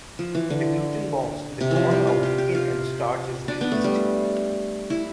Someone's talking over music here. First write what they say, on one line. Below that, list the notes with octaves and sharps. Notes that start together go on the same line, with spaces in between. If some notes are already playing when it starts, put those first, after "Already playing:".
The gluten bonds in the corn are weakened and starch is released.
F3
E3
D3
C3
E3
F3
G3
F4
G4
G4
F4
D4
B3
A3
G3
E4